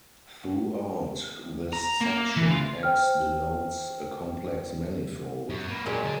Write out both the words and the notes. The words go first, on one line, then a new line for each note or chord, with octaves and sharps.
Throughout this section, "X" denotes a complex manifold.
A#5
A#3
E3
F4
C5 G5 F6
F#2
A#3 B4
A#2 F#3 G#3 D#4 G4
D3